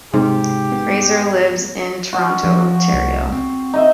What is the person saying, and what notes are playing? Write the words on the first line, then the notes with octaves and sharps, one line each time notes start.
Fraser lives in Toronto, Ontario.
G#2 C3 G4
B3
F#4
F3
C2
C4
D#4 D#5 E5